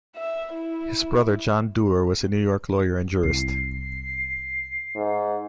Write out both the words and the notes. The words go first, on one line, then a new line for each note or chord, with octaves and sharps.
His brother John Duer was a New York lawyer and jurist.
E5
E4
C2 C7
G#2